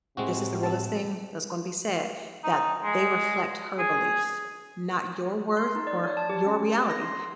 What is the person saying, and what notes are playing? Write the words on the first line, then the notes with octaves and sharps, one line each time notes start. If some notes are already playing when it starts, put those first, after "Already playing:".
this is the realest thing that's gonna be said- that they reflect her beliefs, not your worth or h your reality,
A2 C3 G#3 C4 F#4
A5 E6
D#4
G#3
G#4
C6
D#4
D5
C#5
A5
G4
C#4
A#6
C6